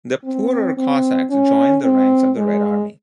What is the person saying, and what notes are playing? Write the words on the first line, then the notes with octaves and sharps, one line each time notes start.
The poorer Cossacks joined the ranks of the Red Army.
C4
C4
C#4
C4
G#3